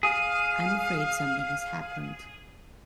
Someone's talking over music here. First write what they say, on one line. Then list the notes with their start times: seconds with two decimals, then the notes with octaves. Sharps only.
I'm afraid something has happened.
0.03 G#4 F5